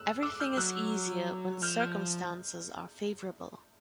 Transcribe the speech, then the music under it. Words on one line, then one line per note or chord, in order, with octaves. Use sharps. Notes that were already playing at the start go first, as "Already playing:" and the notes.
Everything is easier when circumstances are favorable.
Already playing: E6 F#6
D6 E6
F6 G6
F#3 E6 F#6
F3 F6 G6
F6 G6